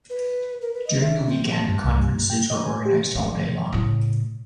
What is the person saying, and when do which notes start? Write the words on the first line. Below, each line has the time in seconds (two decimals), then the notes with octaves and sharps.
During the weekend, conferences were organized all day long.
0.10 B4
0.61 A#4
0.74 B4
0.87 D#5
1.01 E5
1.27 C4
1.52 A5
1.69 G2
1.84 C2
1.99 G2
2.14 G2
2.30 G5
2.50 D#5
2.66 G#5
2.85 G4
3.15 F3 C#4
3.73 A2 C#3